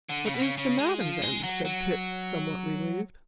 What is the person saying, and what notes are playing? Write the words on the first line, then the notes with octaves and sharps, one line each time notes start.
"What is the matter, then?" said Pitt, somewhat relieved.
D3
C#3
B2
C#3
C#3
G#3
F3
G#3
F#3
F#3